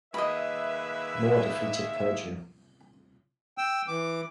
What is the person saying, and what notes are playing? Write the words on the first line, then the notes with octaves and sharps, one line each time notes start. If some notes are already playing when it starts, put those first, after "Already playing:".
Moore defeated Perdue.
D#3 G#3 A#3 B4 D#5 E5 B5
G5 E6
E3 D6